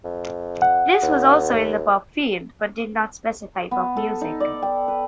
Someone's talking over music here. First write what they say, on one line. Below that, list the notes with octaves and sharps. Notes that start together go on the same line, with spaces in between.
This was also in the pop field, but did not specify pop music.
F2
F#5
D#2
B3
A4
D#4
D5
G5
B4